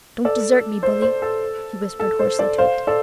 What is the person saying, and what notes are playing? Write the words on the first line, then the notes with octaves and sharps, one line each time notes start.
"Don't desert me, bully," he whispered hoarsely to it.
A4 D5
C5
C5
A4
A4
C5
A4 D5
C5 F5
A4 D5